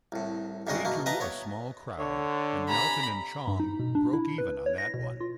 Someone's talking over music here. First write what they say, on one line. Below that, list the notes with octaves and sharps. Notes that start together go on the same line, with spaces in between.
They drew a small crowd and Melton and Chong broke even on that one.
C2 A2
B1 F#2 G3 G#3 F#4 D#5
B2 A3 A#3
B4 D#5 E5 G5 A5 A#5
B3 C#5
D3 C#5
C3 G#5 A#5 B5
G2
D#4
B2
D4
E4
B4
C#5
A#6
B2
F4